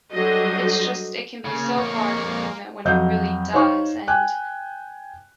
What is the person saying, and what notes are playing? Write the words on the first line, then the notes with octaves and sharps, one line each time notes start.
It's just it can be so hard in the moment when it really does, and,
F#3 G3 D4 A4 C5 D#5
C#3 A#3
F2 C#5
F2 F#3 D#5 F5 G6
D#4 C5 C#5 F5 C#6
G5 G#5 F#6